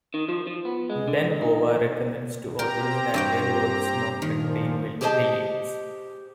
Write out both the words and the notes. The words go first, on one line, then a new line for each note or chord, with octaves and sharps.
Ben Bova recommends to authors that their works not contain villains.
D#3
F3
F3
B3
G#3
D3
C#2
D#4
C4 G4 A#4 G5 A#5
G2 F#4 G5
A#2 D#3 F3
G4 G#4 C5 C#5 D#5 A5